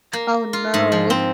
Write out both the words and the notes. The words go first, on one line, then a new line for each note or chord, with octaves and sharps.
Oh no.
A#3
F4
G#2
F3
C4